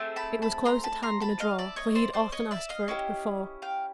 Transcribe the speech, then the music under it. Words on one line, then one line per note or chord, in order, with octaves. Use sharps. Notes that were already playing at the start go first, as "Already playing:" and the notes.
It was close at hand in a drawer, for he had often asked for it before.
Already playing: A3 C4 E4 G#4
A5 B5
A5 B5
A#5 C6
A5 B5
A#5 C6
A5 B5
D#5 F5
D5 E5
C#5 D#5
C5 D5
C5 D5
C#5 D#5
D5 E5
D#5 F5
C#4 E4 G4
F5 G5